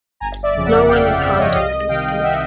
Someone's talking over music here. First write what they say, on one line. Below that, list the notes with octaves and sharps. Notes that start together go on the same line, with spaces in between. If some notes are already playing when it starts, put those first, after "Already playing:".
No one was harmed in the incident.
G1 G#5 A#5
D5 E5
F2 C#3 F3
E5 F#5
G1 F5 G5
E5 F#5
F2 C#3 F3 D5 E5
C#5 D#5
C2 D#5 F5
C3 D#3 F5 G5
E5 F#5